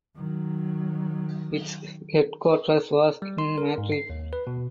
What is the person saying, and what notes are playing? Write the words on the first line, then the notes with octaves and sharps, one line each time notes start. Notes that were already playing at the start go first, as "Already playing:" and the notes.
Its headquarters was in Madrid.
D#3 F#3
G3
C6
A#4
G#2
C7
D#2
B4
B2